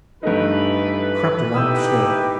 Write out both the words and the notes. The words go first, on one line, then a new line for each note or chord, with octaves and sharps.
I crept along the floor.
G2 E3 A3 D#4 A4 B4
D#4 E4 G4 D#6 E6 G6